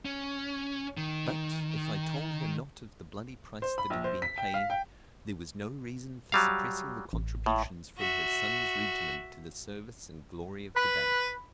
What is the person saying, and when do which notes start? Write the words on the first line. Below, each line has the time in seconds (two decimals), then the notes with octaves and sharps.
But, if I told her not of the bloody price that had been paid, there was no reason for suppressing the contributions from her son's regiment to the service and glory of the day.
0.05 C#4
0.97 D#3
3.62 C5
3.78 B5
3.90 A#1
4.04 C5
4.22 B6
4.38 G5
4.54 F5
4.70 G5
6.32 F#3 G3 F5
7.13 A1
7.46 A2
7.97 F#4 E5
10.76 B4 B5